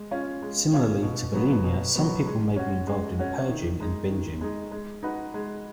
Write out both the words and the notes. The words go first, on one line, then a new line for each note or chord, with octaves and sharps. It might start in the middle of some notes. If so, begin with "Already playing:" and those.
Similarly to bulimia some people may be involved in purging and binging.
Already playing: G#3
C#4 F4
G#3
C#4 F4
B2
F#3 B3
B2
F#3 B3
G#3
C#4 F#4
G#3
C#4 F#4
D#3
G#3 D#4
D#3
G#3 D#4
G#3
D#4 F#4 B4
G#3